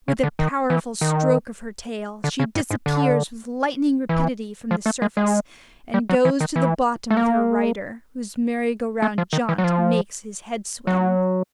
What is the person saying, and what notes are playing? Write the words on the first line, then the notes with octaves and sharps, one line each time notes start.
With a powerful stroke of her tail, she disappears with lightning rapidity from the surface, and goes to the bottom with her rider, whose merry-go-round jaunt makes his head swim.
C#3
D3
D#3
E3
D#3
D3
C#3
G2
G#2
D3
E3
F3
A3
G#3
G#3
G3
F#3
E3
D#3
E3
A3
A#3
A3
F3
D#3
E3
F#3
F3
F#3